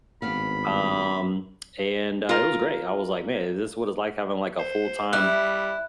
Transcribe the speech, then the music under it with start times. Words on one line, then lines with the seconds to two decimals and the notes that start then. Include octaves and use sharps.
um, and, uh, it was great. I was like: "Man, is this what it's like having, like, a full-time
0.22 G#1 G2 B3 F5 B5
2.29 F4 A#4
4.59 C5
5.13 G3 E4 F#6